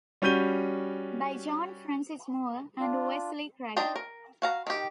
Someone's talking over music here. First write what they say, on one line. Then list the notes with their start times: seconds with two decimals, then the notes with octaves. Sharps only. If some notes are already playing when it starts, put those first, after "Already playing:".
By John Francis Moore and Wesley Craig.
0.22 G3 C#4 F#4 G6 D#7 G7
2.80 D4 F4
3.77 D4 D#4 C5 G5 A#5
3.96 A#4
4.42 F#4 F5 A#5
4.67 D#3 G4